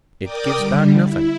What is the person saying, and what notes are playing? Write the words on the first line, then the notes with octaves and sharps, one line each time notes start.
It gives back nothing.
A#4 D5 G5 D6 D#6
D3 G3
E4